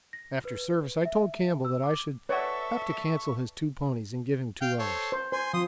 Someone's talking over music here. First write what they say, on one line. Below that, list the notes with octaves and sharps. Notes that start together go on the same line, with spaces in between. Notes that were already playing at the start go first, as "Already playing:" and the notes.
After Service I told Campbell that I should have to cancel his two ponies and give him two others.
A#6
B4
E5
E6
D6
A4 B4 C#5 D5 E5 F#5 C#6
F5 G5
A4 C5 C#5
C5
C5 G#5 C6
F3 C6 D#6